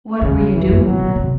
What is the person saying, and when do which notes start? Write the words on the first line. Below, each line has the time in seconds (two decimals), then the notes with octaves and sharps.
"What were you doing, then?"
0.21 E2 C#3
0.53 E2 E3
0.69 F#2
0.84 F#3
1.00 G#2
1.16 C3